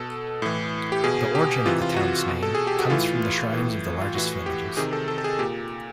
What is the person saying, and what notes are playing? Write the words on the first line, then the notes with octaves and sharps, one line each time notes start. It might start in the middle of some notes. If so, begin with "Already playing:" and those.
The origin of the town's name comes from the shrines of the largest villages.
Already playing: B2 A4
A2 E3
G4
B2 G#4
G4
C3 E3 F4
F4
F#4
B2
A4
G#4
G4
F#4
A2 E3 F4
A2 E3
F4
A2 E3 F#4
G4
C3 D#3 G#4
A4
A4
A4
G#4
A#2 G4